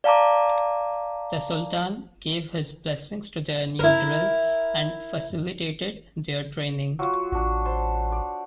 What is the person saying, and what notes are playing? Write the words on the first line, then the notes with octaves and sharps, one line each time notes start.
The Sultan gave his blessings to their new drill and facilitated their training.
D5 F5 A5 A#5 D6
E4 A#4
F#3 F4 F#4
A1 D4 F#4
C5 A5
D5